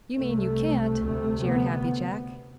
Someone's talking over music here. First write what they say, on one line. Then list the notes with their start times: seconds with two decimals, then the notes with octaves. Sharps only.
"You mean you can't!" jeered Happy Jack.
0.17 C2 C3 A3
1.02 D2 C3 A3
1.45 B3